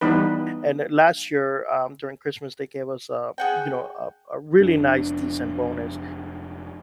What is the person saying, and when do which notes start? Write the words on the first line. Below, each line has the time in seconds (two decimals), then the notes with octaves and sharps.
and last year, um, during Christmas, they gave us, uh, you know, a a really nice, decent bonus,
0.01 E3 G3 B3 D#4 B4
3.38 G#4 F#5 G5
4.60 F1 D4